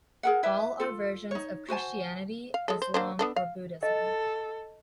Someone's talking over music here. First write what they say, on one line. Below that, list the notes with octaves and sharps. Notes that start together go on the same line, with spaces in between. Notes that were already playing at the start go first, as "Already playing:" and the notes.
All are versions of Christianity, Islam or Buddhism.
G#4 A#4 F#5
E4 B4 E5
F4 A4
D#4 C#5
F#4 C5 G#5 A5
F5
G#3 A4
C5
A#3 D4 C5
B3 D4 A4
F5
A4 D#5